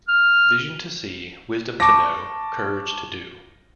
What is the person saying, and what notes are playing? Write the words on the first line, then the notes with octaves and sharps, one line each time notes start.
Vision to see, wisdom to know, courage to do.
F6
A5 C#6 D6 A#6